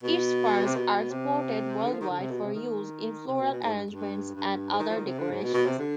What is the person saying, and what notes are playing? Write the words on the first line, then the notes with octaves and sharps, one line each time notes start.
Its ferns are exported worldwide for use in floral arrangements and other decorations.
B2
C3
B2
C3
D3
F3
D#3
D3
C3
B2
C3
D#3
C3
B2
B2
G#2
G2
G2
G2
G#2
D#3
F3
D#3
C3
D3
G#2
B2
B2
C3
D3